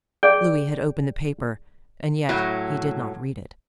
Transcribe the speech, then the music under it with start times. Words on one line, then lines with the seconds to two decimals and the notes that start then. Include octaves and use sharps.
Louis had opened the paper, and yet he did not read it.
0.23 G#4 D5 G5
2.29 A2 F#3